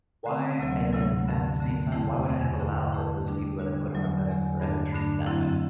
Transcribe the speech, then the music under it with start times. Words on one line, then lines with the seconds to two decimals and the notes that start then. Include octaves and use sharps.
why and then at the same time, why would I have allowed those people that I put on a pedestal to ever treat me that way?
0.26 D3 A3 C4
0.58 D2 C3 F#3
0.92 D2 C3 F#3
1.25 G2 D3 A3
1.58 G2 D3 A3
1.92 E2 D3 A3 E4
2.26 E2 D3 A3 E4
2.59 D3 A3 E4
2.92 D3 A3 E4
3.26 D3 G3 D4
3.59 D3 G3 D4
3.93 E2 D3 F#3
4.26 E2 D3 F#3
4.60 G2 D3 A3 D4
4.93 G2 D3 A3 D4
5.26 F#2 D3 F#3 C4 E4